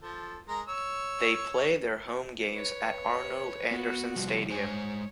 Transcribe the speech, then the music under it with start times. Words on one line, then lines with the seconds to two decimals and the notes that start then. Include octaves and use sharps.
They play their home games at Arnold Anderson Stadium.
0.02 F3 A4
0.48 G#3 A#4 A#5
0.68 C#5 E6
2.52 B4 C#5
3.71 B3 F#4
4.16 C3 F3 G3
4.49 G#3 C5 C#5 G#5